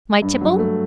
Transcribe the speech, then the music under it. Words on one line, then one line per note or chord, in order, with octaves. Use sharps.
My tipple.
G2
F#3
A3